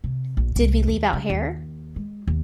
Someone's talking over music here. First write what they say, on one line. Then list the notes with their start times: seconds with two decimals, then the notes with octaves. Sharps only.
Did we leave out hair?
0.04 C3
0.37 A#1
0.56 C2
0.88 D#2
1.13 C#3
1.30 D#2
1.96 G#3
2.27 D#2